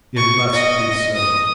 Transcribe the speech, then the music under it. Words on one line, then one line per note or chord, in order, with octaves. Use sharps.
It must be so.
C#6
D#5
D#6